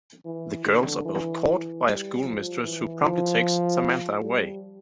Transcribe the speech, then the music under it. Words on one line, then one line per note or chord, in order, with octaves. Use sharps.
The girls are both caught by a school mistress, who promptly takes Samantha away.
E3
D3
E3
E3
G3
F3
E3
F3
G3